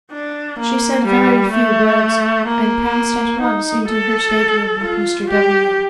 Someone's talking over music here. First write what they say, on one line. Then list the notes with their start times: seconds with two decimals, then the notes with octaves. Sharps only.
She said very few words, and passed at once into her state-room with Mr. W.
0.12 D4
0.59 A#3
1.06 G3
1.52 A3
2.47 A#3
3.41 D#4
3.88 A4
4.82 F4
5.30 G4